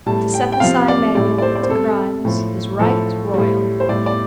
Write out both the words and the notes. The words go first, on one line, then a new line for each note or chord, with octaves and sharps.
To set the sign-manual to crimes is right royal.
A2 G3 A5
G5
G5
C3 F3 F5
D5
A2 G3 D5
D5
C5
D5
C5
C3 G3 A4
A2 F3
A2 F3 A4
A2 G3
C5
A2 G3 D5
D5